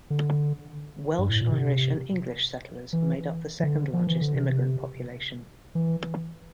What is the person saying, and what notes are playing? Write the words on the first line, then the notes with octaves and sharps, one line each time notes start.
Welsh, Irish, and English settlers made up the second largest immigrant population.
D3
G2
A2
A#2
C3
E3
E3
D3
F3
E3
D3
C3
E3